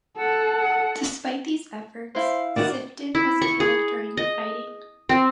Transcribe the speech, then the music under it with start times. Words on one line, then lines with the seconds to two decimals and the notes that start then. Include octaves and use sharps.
Despite these efforts, Sifton was killed during the fighting.
0.17 A4 F#5
2.15 E4 C5 F5
2.56 D#3 B3 F#4 D5
3.15 E4
3.42 C#6
3.60 G#4
4.17 D#5
5.09 C4